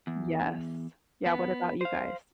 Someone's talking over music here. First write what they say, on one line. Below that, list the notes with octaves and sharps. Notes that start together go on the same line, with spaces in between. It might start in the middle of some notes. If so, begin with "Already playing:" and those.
Yes. Yeah. What about you guys?
E2
B3
C5 F5